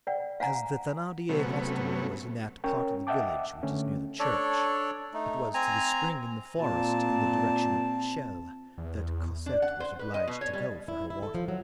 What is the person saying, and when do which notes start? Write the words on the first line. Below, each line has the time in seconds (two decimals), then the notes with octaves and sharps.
As the Thenardier hostelry was in that part of the village which is near the church, it was to the spring in the forest in the direction of Chelles that Cosette was obliged to go for her water.
0.07 D5 F#5 G5
0.40 F5 F#5 G#5 A#5
1.29 C3 F#3 A3 B3 C#4
2.64 C#4 A#4 C#5 G5
3.07 D#5 E5 F#5 G5 A5 D6
3.63 D3 A3 C#4
4.19 D4 A4 C#5 D5
5.14 A3 D#4
5.54 C4 G#5 A#5
6.59 A#2 C4 A5
8.78 E2
9.46 D4
9.62 F#5
9.80 C5
9.99 B4
10.14 D#5
10.28 B2
10.41 C#5
10.53 G3
10.88 E4
11.10 E4
11.23 A4
11.35 F3
11.48 F#3